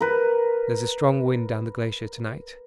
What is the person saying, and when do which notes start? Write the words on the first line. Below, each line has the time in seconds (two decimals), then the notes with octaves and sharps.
There is a strong wind down the glacier to-night.
0.01 A#4 B4